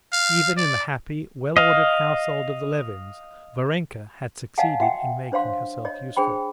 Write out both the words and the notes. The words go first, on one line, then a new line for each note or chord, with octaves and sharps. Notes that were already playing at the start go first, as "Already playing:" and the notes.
Even in the happy, well-ordered household of the Levins Varenka had succeeded in making herself useful.
F5
D5
D#5 F5
C#5 D#5 F5 F#5 G#5 A5
F#4 E5 F#5 G5
D4 C5 C#5 F5 C6
C#5 D#5
D4 G#4 C5 G5 B5